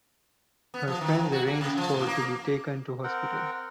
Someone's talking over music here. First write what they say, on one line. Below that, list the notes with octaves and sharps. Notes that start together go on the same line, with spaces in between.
Her friends arranged for to be taken to hospital.
B3
F3
D#3
F3
F#4
A#3
C#3
F3
A2
A#3
C4 A#4 F#5 G5